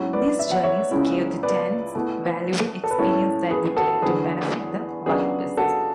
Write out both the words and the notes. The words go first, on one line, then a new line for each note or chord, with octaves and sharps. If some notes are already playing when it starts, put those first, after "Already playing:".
These journeys gave the Danes valuable experience that would later benefit the "White Buses".
Already playing: G#2 F#3 C#4 E4
B4 D5
E5
F#5
C#5 E5
C#2 C#3 G#3 C#4 E4
B4 D5
B2 A3 E4
A4
B4
A2 G#3 C#4 E4 A4 C#5
G#4 B4
F#4 A4
E2 D3 F#3 G#4 B4
C#2 C#3 F#3 B3 D4 G#4
F#4 A4